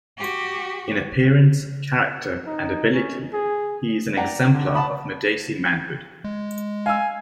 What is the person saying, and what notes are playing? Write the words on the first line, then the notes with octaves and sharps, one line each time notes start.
In appearance, character, and ability, he is an exemplar of Madesi manhood.
F#4 G4
D#4
C#4
G#4
D5 F#5 G5 A#5
D3
F#5 A5 B5 D#6
G#3
F5 G#5 E6